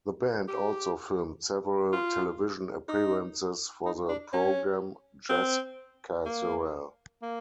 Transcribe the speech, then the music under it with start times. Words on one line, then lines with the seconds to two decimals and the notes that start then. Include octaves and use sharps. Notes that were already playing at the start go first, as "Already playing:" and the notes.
The band also filmed several television appearances for the program "Jazz Casual".
0.48 G4
1.93 F4
2.88 D#4
3.85 D#4
4.08 D4
4.32 C#4
5.29 C4
6.25 A#3
7.22 A#3